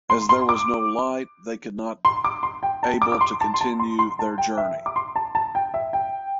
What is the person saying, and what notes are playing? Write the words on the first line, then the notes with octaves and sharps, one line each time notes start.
As there was no light they could not able to continue their journey.
C6
C6
D6
C6
D6
C6
G5
A5
D6
D6
C6
A5
C6
A5
C6
C6
A5
G5
E5
D6
C6
A5
A5
G5
E5
G5